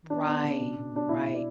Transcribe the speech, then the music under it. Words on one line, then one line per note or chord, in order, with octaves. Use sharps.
Right, right,
B3 D4
B3
C#3
B2
B2
B2 D4
B2 E4
B2
D5